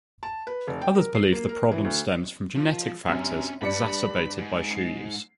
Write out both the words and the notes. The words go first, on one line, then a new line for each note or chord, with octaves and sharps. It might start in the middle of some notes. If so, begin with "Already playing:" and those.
Others believe the problem stems from genetic factors, exacerbated by shoe use.
A5
B4
F1
G5
A#4
C7
A#3
A#4
E3
D2
F3
F#2 C3 C#4 D4
G2 D5 B5 C#7
G#2
C7